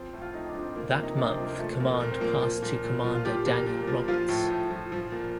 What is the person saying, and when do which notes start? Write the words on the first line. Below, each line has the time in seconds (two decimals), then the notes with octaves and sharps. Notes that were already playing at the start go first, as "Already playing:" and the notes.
That month command passed to Commander Daniel Roberts.
Already playing: F3 C4
0.13 A2
0.21 F4
0.33 A2 D#4
0.48 D4
0.54 F3
0.62 C4
0.76 F3 A#3
0.96 C3
1.03 D#4
1.16 C3 D4
1.31 C4
1.37 F3
1.45 A#3
1.59 F3 A3
1.79 A#2 A#3
2.00 A#2 A#3
2.11 C4
2.21 F3 A#3
2.42 F3
2.62 A#2
2.84 A#2
3.04 F3
3.15 F4
3.25 F3 G4
3.46 A#2
3.66 A#2
3.87 F3
4.08 F3 F4
4.28 A2
4.50 A2
4.71 F3
4.92 F3
5.12 A#2